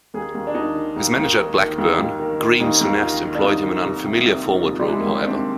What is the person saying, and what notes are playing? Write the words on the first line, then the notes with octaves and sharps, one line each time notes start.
His manager at Blackburn, Graeme Souness, employed him in an unfamiliar forward role, however.
D#2 G#4
D#2
D4
D#3 D#4
D#3
D#2
D#2
D#3
D#3
D#2
D#2
D#3
D#3
D#2 D#4
D#2
D#3 F4
D#3
D4
C2 D#4
D#3
C2
C3
C2
D#3
C2
F3
G3
C3 G#3
A#3
C2 C4
D4
D#3 C4